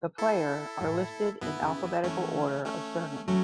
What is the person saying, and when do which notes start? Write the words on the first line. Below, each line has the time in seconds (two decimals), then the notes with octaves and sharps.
The player are listed in alphabetical order of surname.
0.18 E4 A4
0.81 A2
1.41 B2 B3 E4
1.63 C#3
1.83 E3
2.04 E3 A3 C#4
2.65 A3 C#4
3.28 F#3 A3 C#4